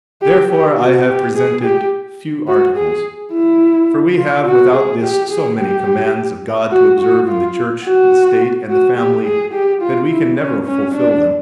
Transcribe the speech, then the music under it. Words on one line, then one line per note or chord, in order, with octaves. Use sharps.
Therefore I have presented few articles; for we have without this so many commands of God to observe in the Church, the state and the family that we can never fulfil them.
G4
G4
F#4
G4
G#4
G4
F#4
G#4
E4
F4
F#4
G#4
G4
G#4
G4
F#4
F#4
F4
F#4
F#4
G4
G#4
G4
F4
E4
C#4
C#4
D4